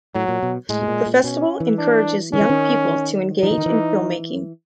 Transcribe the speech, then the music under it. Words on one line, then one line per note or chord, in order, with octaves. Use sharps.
The festival encourages young people to engage in filmmaking.
A2 F#3
A#2
B2
A2 G#3
B2
A#2
A#2
B2 C#4
E3
D4
D#3 C#4
E3
D#3
F3 D#4
E3
D#3
E3